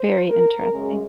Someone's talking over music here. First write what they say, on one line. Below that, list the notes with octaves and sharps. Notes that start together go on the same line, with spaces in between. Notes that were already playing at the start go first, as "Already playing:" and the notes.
Very interrupting.
Already playing: C5
A#4
F#2 C#3 G#3 C#4